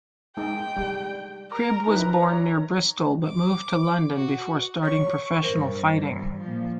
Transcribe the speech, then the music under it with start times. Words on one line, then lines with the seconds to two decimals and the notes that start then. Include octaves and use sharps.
Cribb was born near Bristol but moved to London before starting professional fighting.
0.37 G#3 D#4 G5
0.76 G3
1.51 A#4
1.87 D#4 E4 B4 A#5
2.22 C#5
3.27 D6
4.16 F#4
4.83 C#5 C#6
5.43 G2 A#4 C5
6.40 A#2 F3